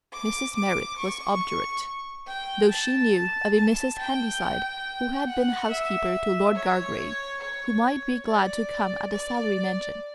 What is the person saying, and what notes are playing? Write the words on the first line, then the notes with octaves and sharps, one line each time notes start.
Mrs. Merrit was obdurate, though she knew of a Mrs. Handyside who had been housekeeper to Lord Gargrave, who might be glad to come at the salary mentioned.
D6
D6
C#6
G5
A5
A5
G5
G5
F#5
E5
C#5
C#5
D5
D5